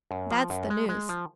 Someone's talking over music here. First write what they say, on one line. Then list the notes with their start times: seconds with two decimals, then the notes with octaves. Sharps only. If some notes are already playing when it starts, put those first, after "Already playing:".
That's the news.
0.11 F#2
0.31 F3
0.50 F#2
0.70 G#3
0.89 G#3
1.09 F3